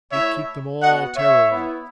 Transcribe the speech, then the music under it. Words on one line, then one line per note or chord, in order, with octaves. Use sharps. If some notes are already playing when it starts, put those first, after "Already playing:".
We keep them all terrorized.
A3 E4 C#5 E5
B3 F#4 D#5 F#5
C#5 E5
B3 E4